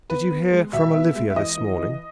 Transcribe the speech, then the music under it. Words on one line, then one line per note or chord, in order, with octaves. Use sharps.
"Did you hear from Olivia this morning?"
B3 B4
B3
G#3
B2 E5
B3
G#3
E5
E3 D#5
E3
E3